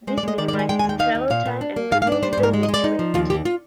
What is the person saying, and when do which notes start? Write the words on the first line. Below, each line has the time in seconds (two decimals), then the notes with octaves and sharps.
This minimizes travel time and removes the need to wait.
0.07 G#3 C5
0.18 D5
0.23 G#3 D#5
0.38 D#3 D5
0.48 D5
0.53 G#3
0.59 G#5
0.69 G#3 G5
0.79 G#5
0.84 D#2
0.89 G5
0.99 D#4 F5
1.15 D#2
1.30 A#2 F5
1.46 A#2
1.61 D4
1.76 A#3
1.92 G#2 F5
2.02 F5
2.07 D4 D5
2.23 G3 C5
2.33 C5
2.38 G#2
2.43 A#4
2.54 G#3
2.63 D#5
2.69 G#3
2.74 D5
2.84 D#4
2.99 F3
3.14 D#2 F4
3.30 D#2 G4
3.45 F4